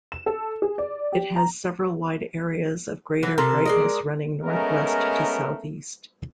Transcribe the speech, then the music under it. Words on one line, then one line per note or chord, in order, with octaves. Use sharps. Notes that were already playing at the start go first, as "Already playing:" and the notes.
It has several wide areas of greater brightness running northwest to southeast.
E7
A4
G#4
D5
G4
A#5
E3 F#3 B4
C3 A4 A#4 A#5 C6
G#3 D5 D#5
G#3 A3 B3 C#4 A#4